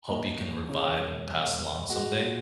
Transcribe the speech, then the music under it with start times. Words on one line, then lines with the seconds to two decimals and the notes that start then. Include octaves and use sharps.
hope you can revive and pass along someday?
0.08 D#2 D#5
0.39 D#2
0.69 C#3 C#5
0.99 E1
1.29 E1
1.60 E1
1.90 G#3 F#4
2.20 A#2